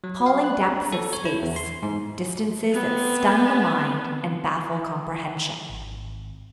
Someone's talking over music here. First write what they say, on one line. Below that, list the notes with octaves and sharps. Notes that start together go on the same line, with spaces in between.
APPALLING DEPTHS OF SPACE. Distances that Stun the Mind and Baffle Comprehension.
F#3
F5
F#6
A4
C#5
E4
E2
C6
G#2
B3 C4
G#1